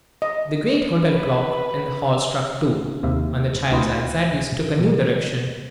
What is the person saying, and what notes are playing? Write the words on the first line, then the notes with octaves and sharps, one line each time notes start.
The great hotel clock in the hall struck two, and the child's anxieties took a new direction.
D#5
B4
D#2 C3 E5 F5
D2 E4 F4 B4 D#5 G5
B2